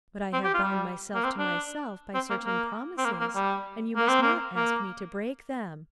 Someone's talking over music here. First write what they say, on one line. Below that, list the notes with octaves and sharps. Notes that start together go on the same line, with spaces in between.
But I have bound myself to myself by certain promises, and you must not ask me to break them.
C4
G4
F4
G3
A#3
C4
D4
C4
A#3
A#3
C4
A#3
A#3
G3
A#3
C4
A#3
A#3